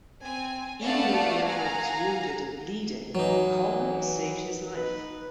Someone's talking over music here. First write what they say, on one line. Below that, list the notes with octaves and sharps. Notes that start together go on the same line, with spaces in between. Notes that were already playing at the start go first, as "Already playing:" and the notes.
Even though the Emperor was wounded and bleeding, the collar saved his life.
C4 G#5
A3 B3 D5 F5 F#5 A5
F5 F#5 G#5 A#5
E3 F#3 D#4
D#4 B4